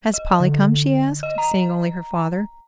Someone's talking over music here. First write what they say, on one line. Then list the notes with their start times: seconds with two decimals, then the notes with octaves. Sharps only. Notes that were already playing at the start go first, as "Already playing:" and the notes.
"Has Polly come?" she asked, seeing only her father.
0.14 D#5
0.40 D3
1.23 D#5
1.38 A#5